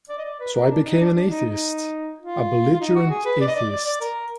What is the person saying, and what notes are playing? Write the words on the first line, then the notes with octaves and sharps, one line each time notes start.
So I became an atheist, a belligerent atheist.
D5
D#5
D5
B4
A#4
D4
D#4
D4
D4
D#4
D#4
F4
F4
D#4
F#4
G#4
B4
D5
D#5
D5
D5
D5
A#4